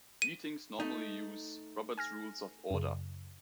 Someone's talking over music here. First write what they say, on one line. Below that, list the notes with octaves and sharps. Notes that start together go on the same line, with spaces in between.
Meetings normally use "Robert's Rules of Order".
D#7
A3 D#4
G#5 F6 A#6
F#2 C#3